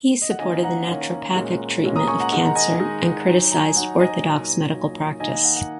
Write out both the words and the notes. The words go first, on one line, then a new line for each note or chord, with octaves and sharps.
He supported the naturopathic treatment of cancer and criticized orthodox medical practice.
D#5
F#5
D#3 A#3 C#4 D#5 G#5
F#5 A#5
D#3 A#3 C#4
A#2 G#3 C#4
A#2 G#3 C#4
A#5 D#6
G#5 C#6
F#5 A#5
D#3 G#3 D#4 F#5
A#5
D#5 G#5
D#3 G#3 D#4
F#3 D#4
A#5
G#5
F#3 D#4 F#5
D#5 G#5
A#2 F#3 D#4
A#2 F#3 D#4
D#3 A#3 D#4 D#5 G#5
D#5
F#5
F#5